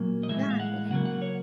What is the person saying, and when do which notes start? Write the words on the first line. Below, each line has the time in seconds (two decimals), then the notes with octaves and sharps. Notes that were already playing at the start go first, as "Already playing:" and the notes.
Yeah, it is.
Already playing: A#2 F#3 A#3
0.23 D#5
0.29 A2 E3 G#3 E5
0.50 F5
0.60 F#5
0.90 C#3 F#3 A#3 F#5
1.05 F#5
1.22 C#5